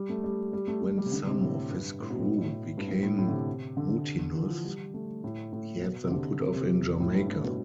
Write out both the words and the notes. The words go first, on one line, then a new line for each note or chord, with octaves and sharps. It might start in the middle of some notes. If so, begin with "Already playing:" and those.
When some of his crew became mutinous, he had them put off in Jamaica.
Already playing: G3
A3
G3
G3
A3
A3
G3
C3
D3
C3
A2
G2
A2
B2
A2
B2
A2
G2
A2
A2
A2
D3
C3
D3
E3
F3
G3
A3
A2
A2
B2
C3
D3
C3
C3
A2
G2
A2
B2